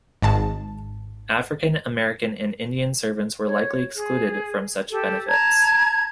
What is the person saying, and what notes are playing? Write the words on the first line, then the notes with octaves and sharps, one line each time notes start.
African-American and Indian servants were likely excluded from such benefits.
G#1 G#2 A5
C#5
G#4
G4 A4
A5 A#5 G#6